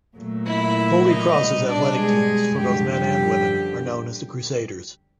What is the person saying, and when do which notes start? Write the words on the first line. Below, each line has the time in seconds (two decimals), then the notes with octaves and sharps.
Holy Cross's athletic teams for both men and women are known as the Crusaders.
0.16 A#2 F#3 A3
0.46 E4 E5
1.07 D#4 D#5
1.37 B2 G3
1.67 D4 D5
1.97 G#3 G#4
2.57 F#2 D3 F3 G3 G4
2.87 G3 G4